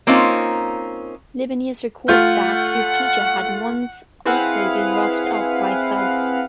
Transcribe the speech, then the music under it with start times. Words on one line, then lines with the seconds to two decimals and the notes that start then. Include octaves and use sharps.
Libanius records that his teacher had once also been roughed up by thugs.
0.07 A#3 C4 C#4 D#4 F4
2.08 A3 F4 F#5 G6
4.25 C4 E4 G#4 B4 F5 F#5